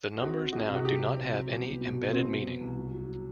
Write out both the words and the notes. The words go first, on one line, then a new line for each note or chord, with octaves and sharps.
The numbers now do not have any embedded meaning.
C4 F#4
C4
F#3 F#4
C3
F#4
F#3 G4
C4
C4
F#3
C2
B3
B2
F#3
B3 C4
B2
B3
C2
F#3
F#3
F#3